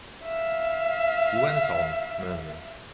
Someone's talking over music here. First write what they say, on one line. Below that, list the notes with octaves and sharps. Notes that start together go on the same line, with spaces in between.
She went on, murmuring.
E5 F5